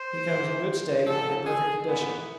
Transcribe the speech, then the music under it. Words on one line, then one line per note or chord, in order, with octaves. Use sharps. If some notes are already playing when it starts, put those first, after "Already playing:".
He comes in good state, and in perfect condition.
Already playing: C5
G#2 E3
G#2 F3 A4
G#4
G#2 E3 B3